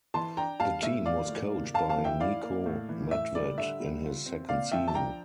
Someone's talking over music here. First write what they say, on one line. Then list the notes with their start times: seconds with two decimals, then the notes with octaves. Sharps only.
The team was coached by Niko Medved in his second season.
0.14 E3 A5 C6
0.37 D4 G5 A#5
0.60 G3 F5 A5
0.82 A2 E5
1.05 F3 D5 F5
1.28 A2
1.51 A#3
1.74 F2 F5 A5
1.89 F5 A5
1.97 E3
2.04 E5 G5
2.20 E4 D5 F5
2.43 A#3
2.66 A2
2.89 E3
3.11 A2 E5
3.35 G3 D5
3.58 D3 E5
3.80 G3
4.03 F4
4.26 C4
4.49 A#2 D5 F5
4.72 F3 E5 G5
4.88 A5
4.94 D4 G5 A#5